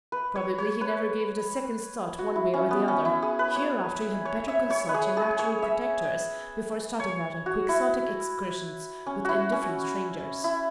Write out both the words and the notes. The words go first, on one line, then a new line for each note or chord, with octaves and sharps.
"Probably he never gave it a second's thought one way or the other. Hereafter you had better consult your natural protectors before starting out on Quixotic excursions with indifferent strangers."
B4
C#5
C#5
B4
F#4
E4
C#4
B3
C#4
E4
G#4
B4
C#5
C#5
E5
C#5
B4
G#4
G#4
C#5
E5
C#5
F#4
E4
C#4
E4 F#4
C#4
E4